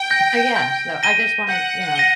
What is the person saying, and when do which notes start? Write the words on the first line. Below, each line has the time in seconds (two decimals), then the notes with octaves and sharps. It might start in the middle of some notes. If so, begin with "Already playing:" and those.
so yeah, so, I just wanna, you know,
Already playing: G5
0.10 G6 A#6
0.56 G6
1.03 A#6 D#7 G7
1.49 F#5 G6
1.96 A#6 D#7 G7